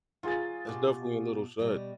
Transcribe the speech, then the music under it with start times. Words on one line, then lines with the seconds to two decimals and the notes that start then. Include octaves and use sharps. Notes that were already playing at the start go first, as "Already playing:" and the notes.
That's definitely a little sad.
0.23 F#3 F4 G#4 A6
0.65 B2 G4 A5
1.59 B2 G3 D#5